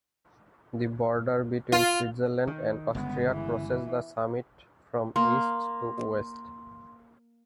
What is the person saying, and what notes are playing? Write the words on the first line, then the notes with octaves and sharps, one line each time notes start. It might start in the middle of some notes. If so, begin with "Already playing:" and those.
The border between Switzerland and Austria crosses the summit from East to West.
F4
D#3
G1 C#3 G#3 B3
E3
A#3 C6